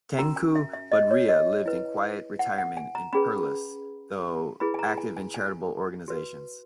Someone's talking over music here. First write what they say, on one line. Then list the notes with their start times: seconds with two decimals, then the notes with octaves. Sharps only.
Tengku Budriah lived in quiet retirement in Perlis, though active in charitable organisations.
0.18 C#4 F#4 A#4 A#5
0.36 G#5
0.55 E5
0.74 E5
0.92 D#5
1.11 C#5
1.29 D#5
1.66 E4 B4
2.39 F#5
2.58 F#5
2.77 G#5
2.95 A#5
3.13 C#4 G#4 B4 B5
4.60 E4 G#4 B4 B5
4.74 G#5
4.79 A#5
4.98 G#5
5.17 G#5
5.34 G#5
6.08 F#4 B4